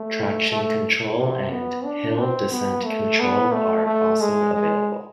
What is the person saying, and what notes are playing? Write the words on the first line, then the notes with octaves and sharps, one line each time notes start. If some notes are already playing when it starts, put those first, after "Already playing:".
Traction control and hill-descent control are also available.
Already playing: A3
A3
C3
B3
D4
C4
B3
A3
B3
A3
A3
G#3
G#3